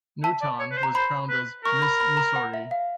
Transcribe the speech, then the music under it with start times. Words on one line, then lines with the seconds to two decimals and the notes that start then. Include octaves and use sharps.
Nutan was crowned as Miss Mussorie.
0.24 E5 A5
0.41 D5
0.59 C#5
0.71 B4
0.77 C5
0.83 A#5
0.94 C5 B5
1.29 B4
1.65 A#4 C#6
1.82 B5
2.00 B5
2.17 A#5
2.36 F#5
2.54 E5
2.71 F5